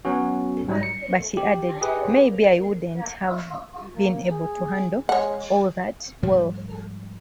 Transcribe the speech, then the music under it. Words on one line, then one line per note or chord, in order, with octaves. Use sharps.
But he added: maybe I wouldn't have been able to handle all that wealth.
F#3 B3 C#4 F#4
G#2 F#3 G3
C#7
G4
G4 G#4 B4
A#3
G#4
G#3 C#5 F#5
G#2 F3 G3 A3